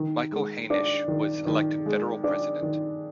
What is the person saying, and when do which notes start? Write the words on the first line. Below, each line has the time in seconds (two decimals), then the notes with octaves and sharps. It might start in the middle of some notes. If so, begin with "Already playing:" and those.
Michael Hainisch was elected Federal President.
Already playing: D#3
0.32 G#3
0.70 D4
1.08 D#3
1.46 D#3
1.86 G#3
2.24 D4
2.62 D#3